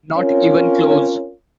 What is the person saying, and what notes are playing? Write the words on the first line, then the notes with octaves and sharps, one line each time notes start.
Not even close.
C4 C#4 F4 A#4 C#5